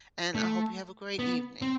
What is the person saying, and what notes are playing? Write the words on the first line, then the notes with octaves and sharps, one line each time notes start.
and I hope you have a great evening.
A3
B3
C4